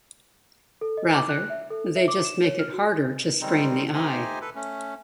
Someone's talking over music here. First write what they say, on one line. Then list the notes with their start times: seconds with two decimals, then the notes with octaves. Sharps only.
Rather, they just make it harder to strain the eye.
0.81 A4
0.97 D#5
1.15 D6
1.29 F#6
1.50 E5
1.70 A4
1.96 E5
2.08 D6
2.25 E7
2.44 C#5
2.59 F6
2.73 F#4
3.41 D#3 G3 G#3 C4 D#4
3.94 A3 D#4 G4 C5 D#5 G#5
4.41 A4 B4
4.55 A3 C#4